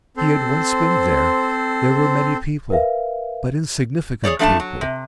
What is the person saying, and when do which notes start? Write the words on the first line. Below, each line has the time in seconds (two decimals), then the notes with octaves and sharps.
He had once been there; there were many people, but insignificant people.
0.17 C4 A4 C5
2.70 A#4 B4 E5 F5
4.24 G#4 A4 C#5 D5
4.39 F3 A3 D4 F5 A5
4.60 F#3
4.81 C3